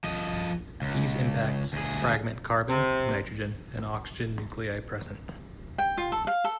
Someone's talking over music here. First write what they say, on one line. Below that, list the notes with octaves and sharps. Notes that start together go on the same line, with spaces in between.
These impacts fragment carbon, nitrogen, and oxygen nuclei present.
F3 D#5
C#2
D2 G#4
C3
G5
F4
A4
F5
A4